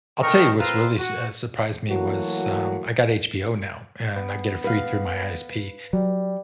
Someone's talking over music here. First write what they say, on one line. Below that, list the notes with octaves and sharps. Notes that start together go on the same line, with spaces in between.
I'll tell you what's really s eh, surprised me was, um, I got HBO now, and I get it free through my ISP,
A3 D4 A#4 D#5 G5 C#6
C4 F4 A#4 B4 F5 A#5
F#4
E3 F#3 A3 A#3 F#4
B3
B4 F5
F#3 G3